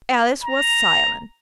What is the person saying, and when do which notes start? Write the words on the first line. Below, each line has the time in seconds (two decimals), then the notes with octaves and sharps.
Alice was silent.
0.43 A#5